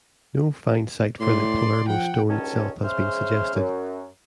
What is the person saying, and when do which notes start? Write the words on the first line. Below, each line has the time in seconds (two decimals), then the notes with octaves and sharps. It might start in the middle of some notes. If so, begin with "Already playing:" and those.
No find site for the Palermo Stone itself has been suggested.
1.20 A2 D5 C6
1.88 F3 F#5 G5
2.30 C#2 G2 D#3 C#4 A4
2.84 C#3 G#3 C5 E5 F6
3.54 F#2